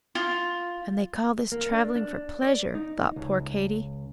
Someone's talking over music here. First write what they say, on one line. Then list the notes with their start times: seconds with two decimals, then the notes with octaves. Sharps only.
"And they call this travelling for pleasure!" thought poor Katy.
0.15 F4
1.52 A#3
1.72 D4
1.96 D4
2.42 D5
2.75 D#4
3.16 C#2